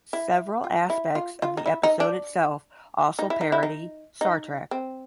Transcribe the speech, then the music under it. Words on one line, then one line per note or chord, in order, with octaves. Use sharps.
Several aspects of the episode itself also parody "Star Trek".
E4
F4
E4
F4
F4
D#4
E4
D#4
D4
D#4
E4
D#4
E4
D#4
D#4
C4